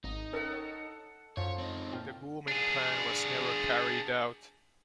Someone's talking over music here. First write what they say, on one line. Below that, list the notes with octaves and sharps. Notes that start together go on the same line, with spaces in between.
The booming plan was never carried out.
G#1 D#4
C#4 A4 A#4 F#5 G5
C#5
F#2 F3 C#5
C4 D#4
A#2 F4 G5
D4 G#4